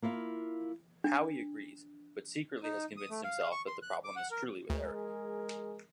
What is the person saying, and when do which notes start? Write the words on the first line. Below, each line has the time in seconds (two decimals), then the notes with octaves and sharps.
Howie agrees, but secretly has convinced himself that the problem is truly with Eric.
0.02 A#3 E4 F4 F5
1.04 D4
2.63 D#4
2.97 D#6
3.10 A3
3.24 F5
3.52 C#6
3.67 C6
3.82 F#6
4.04 D6
4.16 F#5
4.31 A#4
4.70 D2 G#3 G#4 A#4